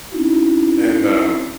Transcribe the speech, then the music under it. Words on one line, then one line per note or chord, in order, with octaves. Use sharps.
and, um,
C4 C#4 D#4 E4 F#4